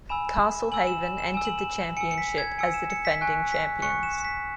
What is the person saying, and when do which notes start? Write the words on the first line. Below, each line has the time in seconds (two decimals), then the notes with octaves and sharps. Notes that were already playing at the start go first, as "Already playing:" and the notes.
Castlehaven entered the championship as the defending champions.
0.09 G#5 B5 E6 E7
0.72 G#5 E6 F#7
0.87 E7
1.03 E7
1.18 E7
1.34 G#5 E6 E7
1.45 F#7
1.58 E7
1.97 G#5 E6 C#7
2.11 C#7
2.18 B6
2.38 G#6
2.58 G#5 E6 C#7
2.74 E7
2.90 C#7
3.05 B6
3.21 G#5 C#6 F#6
3.52 B6
3.82 G#5 C#6 F#6 C#7
4.03 E7
4.25 B6